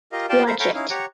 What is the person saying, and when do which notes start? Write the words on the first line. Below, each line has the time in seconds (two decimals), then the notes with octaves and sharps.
Watch it.
0.12 F4 G4 A#4 D#5 F5
0.29 F4 G4 D5 F5 G5 A5
0.47 A4 A#4 C5 F5 A#5 B5
0.60 A4 C#5 F5 G5 A#5 B5
0.74 C#4 D#4 E4 F5
0.90 G4 C#5 F#5 A#5